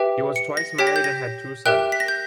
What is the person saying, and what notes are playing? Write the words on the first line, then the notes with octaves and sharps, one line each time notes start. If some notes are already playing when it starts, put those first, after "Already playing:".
He was twice married and had two sons.
Already playing: G4 B4 E5 G5
C#7
A#6
G4 C#5 G5 B6
A#6
G6
A#6
G4 A#4 E5 G5 F#6
B6
A#6
G6